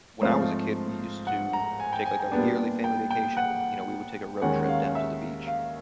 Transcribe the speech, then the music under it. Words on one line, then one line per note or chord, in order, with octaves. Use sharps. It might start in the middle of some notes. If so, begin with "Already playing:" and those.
when I was a kid, we used to take like a yearly family vacation, you know? We would take a road trip down to the beach,
G#2 F3 A3 C4 F5
F#5
A#5
G#5
G5
G#5
G5
A#2 G3 B3 D4
G5
G5
F#5
D#2 D#3 G#3 C#4 F#5
F5
E5
F5